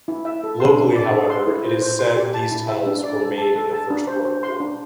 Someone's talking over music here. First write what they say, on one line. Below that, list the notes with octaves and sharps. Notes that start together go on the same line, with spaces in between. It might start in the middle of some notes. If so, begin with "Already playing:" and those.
Locally however it is said these tunnels were made in the first world war.
E4
E5
A4
C6
D4
D5
A4
C6
E4
C5
C5
C6
G4
A5
E4
E5
D4
D5
A4
A5
A4
A5
D4
C5
C5
C6
D4